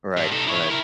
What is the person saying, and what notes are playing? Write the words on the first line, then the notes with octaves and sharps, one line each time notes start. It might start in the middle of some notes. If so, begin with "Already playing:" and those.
Right, right.
G2
D#4 A4
E4 C#5
E4 A#4